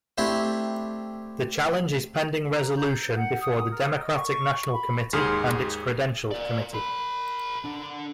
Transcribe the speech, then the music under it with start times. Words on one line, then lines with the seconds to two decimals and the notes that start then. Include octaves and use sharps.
The challenge is pending resolution before the Democratic National Committee and its Credentials Committee.
0.18 A3 C4 D4 E4 G4
2.51 A#5
2.77 G6
3.16 F#5
3.41 D#6
3.71 A#4
3.92 D#5
4.15 C#6
4.72 B5
5.13 D#2 G#2 G#4 C6 F6
6.31 A#4 D5
6.74 A#4 B5
7.64 D4 A4